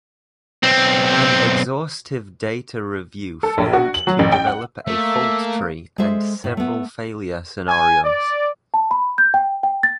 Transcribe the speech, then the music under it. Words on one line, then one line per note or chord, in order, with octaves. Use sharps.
An exhaustive data review followed to develop a fault tree and several failure scenarios.
B1 C4
A4
A#1
F#4
F#7
F#3
A1
G5
F#5
A3 A#3 E5
G#3 A4 C5 E5
A2
A3 B3
G#5
D5
A5
B5
G6
G5
G5
A6